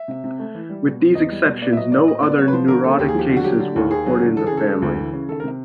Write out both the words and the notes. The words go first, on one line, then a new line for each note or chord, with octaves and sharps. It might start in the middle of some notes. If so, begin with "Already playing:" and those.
With these exceptions, no other neurotic cases were recorded in the family.
Already playing: E5
C3
C3
A3
E3
G3
B2
C4
E2 D#5
G3
B2
B3 D5
E5
F#3 D#5
A2 D5
A2 D#5
B3 D5
F#3 C#5
B4
F3 C5
D3 A#4
A#3 A4
D#2 G4
G#4
F3 G4
D3
F#4
F#3 G4
D3
D#2
D#2 G#4
F#3
D3
E3 A4
G#4
C#3
A4
G#3
D2
E3
C#3
D#3 A4
A#4
C3